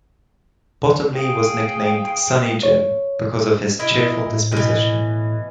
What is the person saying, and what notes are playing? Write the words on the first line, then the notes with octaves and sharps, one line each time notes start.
Bottomley was nicknamed "Sunny Jim" because of his cheerful disposition.
G#4 F5 G5
C#5
E4 A#4 D#5
A2
B2 E3